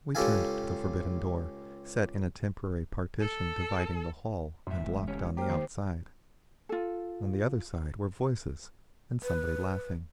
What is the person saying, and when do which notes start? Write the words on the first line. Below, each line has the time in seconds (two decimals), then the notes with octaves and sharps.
We turned to the forbidden door, set in a temporary partition dividing the hall and locked on the outside. On the other side were voices, and somebody laughing.
0.15 C#2 C#4 G4 A4 F5 G#5
3.21 A4
4.67 F#2 A2 E5 C6
4.82 E1 E3 G#3
5.08 D2 C#4 G4 C#5
5.37 A#3 G4 C5 G5 F6
5.49 D#3 C5
6.69 F4 A4
9.24 B4